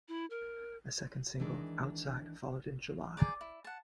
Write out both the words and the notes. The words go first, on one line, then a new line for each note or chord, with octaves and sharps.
A second single, "Out-Side", followed in July.
E4
A#4
D#3 E3 G#3 D4 D#4
G#4 D5 A#5 D6
E4
F#5 A5